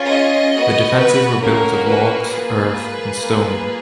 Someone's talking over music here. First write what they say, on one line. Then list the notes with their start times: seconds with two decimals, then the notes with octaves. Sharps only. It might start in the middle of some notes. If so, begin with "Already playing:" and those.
The defences were built of logs, earth, and stone.
Already playing: C#4 F4 G#4
0.09 D#5
0.53 B3 F#4
0.97 B4
1.42 A#3 C#4 F#4 A#4
1.87 B4
2.31 A#3 F4 G#4 B4
3.19 A#3 F4 G#4